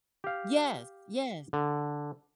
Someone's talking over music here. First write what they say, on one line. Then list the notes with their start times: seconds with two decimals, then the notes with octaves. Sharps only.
Yes. Yes.
0.24 G4 F5
1.53 D3